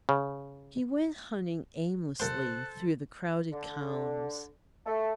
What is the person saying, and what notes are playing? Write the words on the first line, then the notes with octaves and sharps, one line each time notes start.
She went hunting aimlessly through the crowded columns.
C#3
C2 A#2 A4 C5 C6 F#6
D3
A3